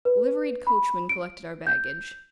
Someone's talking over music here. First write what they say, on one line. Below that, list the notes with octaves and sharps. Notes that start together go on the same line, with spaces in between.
Liveried coachmen collected our baggage.
B4
B5
D7
G6